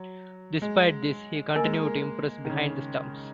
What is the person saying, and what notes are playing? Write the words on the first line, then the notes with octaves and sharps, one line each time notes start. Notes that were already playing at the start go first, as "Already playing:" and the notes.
Despite this, he continued to impress behind the stumps.
Already playing: F#3 F#4
G#3
A#3 A#4 D#5 G#5
G#3
A#3
D#3
C#3